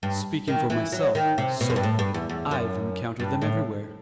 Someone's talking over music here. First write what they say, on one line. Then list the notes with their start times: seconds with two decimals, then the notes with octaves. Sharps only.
"Speaking for myself, sir, I've encountered them everywhere."
0.03 G2
0.48 D#3
0.70 E3
0.92 F#3
1.15 D#3
1.38 C3
1.61 B2
1.70 F#2
1.76 G2
1.83 A2
1.99 G2
2.14 E2
2.29 E2
2.51 F#2
3.20 G2
3.42 A2